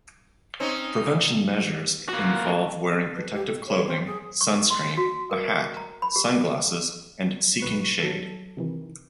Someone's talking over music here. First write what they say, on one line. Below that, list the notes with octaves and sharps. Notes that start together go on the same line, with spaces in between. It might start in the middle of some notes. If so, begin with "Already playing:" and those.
Prevention measures involve wearing protective clothing, sunscreen, a hat, sunglasses, and seeking shade.
C4 C#4 D#4
A#3 F#4
B4
G4
A4
C#5
C4
G#4
C#6
C6
F#4
A#4
A#5
B5
G4
B1 B4 C#6
F#3 A4
C3 D#3 E3